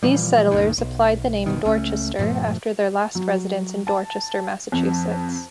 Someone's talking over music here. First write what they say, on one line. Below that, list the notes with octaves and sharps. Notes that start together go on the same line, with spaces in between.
These settlers applied the name "Dorchester" after their last residence in Dorchester, Massachusetts.
A#2 E3 F3 G3
C#2 G2 A#2 D#3
B1
F#1 B2 D#3
C#2 A3 C#4
G2 A#2 F3 A3
F#3
A5
F2